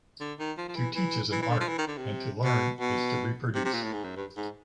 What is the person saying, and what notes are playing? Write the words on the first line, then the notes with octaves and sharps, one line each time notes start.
To teach is an art, and to learn is to reproduce.
D3
D#3
F3
F3
E3
E3
E3
E3
D3
F3
E3
D#3
D3
C3
B2
B2
C3
C3
A#2
A2
G#2
F#2
G2
G#2